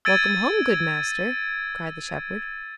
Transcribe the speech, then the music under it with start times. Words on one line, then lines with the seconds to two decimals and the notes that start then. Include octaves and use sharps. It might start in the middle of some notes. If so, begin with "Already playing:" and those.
"Welcome home, good master!" cried the shepherd.
0.05 E6 G#6 A6 D7 D#7